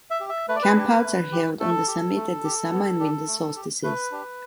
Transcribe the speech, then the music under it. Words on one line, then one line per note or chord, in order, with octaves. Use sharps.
Campouts are held on the summit at the summer and winter solstices.
E5
G4
E5
A3 B4
D5
B4
D4 G4
A3
G4
A3 A4
G4
A3
G4
B3
D4 G4
A3
G4
A3 B4
D4 G4